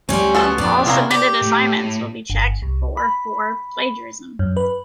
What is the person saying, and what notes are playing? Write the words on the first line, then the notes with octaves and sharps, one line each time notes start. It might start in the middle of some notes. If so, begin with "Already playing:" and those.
All submitted assignments will be checked for for plagiarism.
D2 G3 C#4 C#5 F5 C6
B3 F4 F#4 A4 A5
F2 A#2 D4 G4 D5
C3 F3 B3 C#4 E4 G#4 A#5
G4
A2
G1
C2
B5
F#2
B4